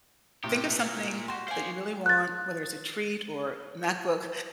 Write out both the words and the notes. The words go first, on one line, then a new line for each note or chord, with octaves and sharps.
Think of something that you really want, whether it's a treat or MacBook,
A2 C3 G4
A#2
F#4 G4 C6
C5 D5 F5 G#5
F#6 A6